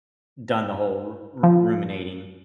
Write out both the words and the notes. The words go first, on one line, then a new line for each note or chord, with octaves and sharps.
done the whole ru ru ruminating.
F3